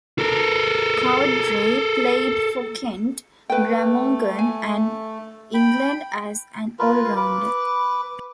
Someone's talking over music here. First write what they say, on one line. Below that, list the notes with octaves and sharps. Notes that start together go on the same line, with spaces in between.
Cowdrey played for Kent, Glamorgan and England as an all-rounder.
A4 A#4
A3 B4 G5
G#5
G5 B5
F4 A#4 B4
B4 D6